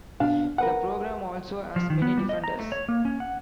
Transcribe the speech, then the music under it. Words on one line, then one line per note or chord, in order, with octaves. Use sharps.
The program also has many defenders.
B2 D4 F5
A#4 B4 F#5
F3
D#3
B3
G3
D#5
A#5
A3
C#5
A#3
C#4
F#5